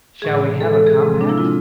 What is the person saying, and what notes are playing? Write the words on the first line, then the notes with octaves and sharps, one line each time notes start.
Shall we have a compact?
A2 E3 G#3 G#4
A2 E3 G#3 A4
A4
G#4
C3 F3 G#3 C4
D4
E4
C3 F3 G#3 C4 F4